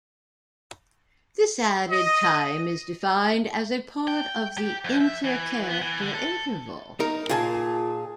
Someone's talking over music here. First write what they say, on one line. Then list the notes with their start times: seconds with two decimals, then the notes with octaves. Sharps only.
This added time is defined as a part of the intercharacter interval.
1.89 D#5
4.08 G5
4.58 G4
4.85 F2
5.01 E5
5.24 E3
5.69 B3
5.82 E3
6.00 D3
6.14 A4
7.00 D#4 A#4
7.29 A#2 F4 G#4 A5